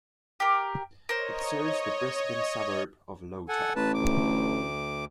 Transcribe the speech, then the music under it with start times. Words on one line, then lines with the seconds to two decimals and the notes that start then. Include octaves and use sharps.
It serves the Brisbane suburb of Lota.
0.40 G4 A#4
1.09 A#4 C5 C#5 D#5
3.49 A4 F#5 G#5
3.76 A1 B4 A5
3.94 D2 D6